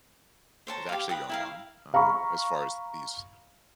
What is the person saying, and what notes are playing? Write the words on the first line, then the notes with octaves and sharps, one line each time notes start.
is actually going on, um, as far as these
C5 C#5 A5 A#5
G4 F5
B4 G5 D#6
E4 A#4 F5
F5 A#5 B5 C#6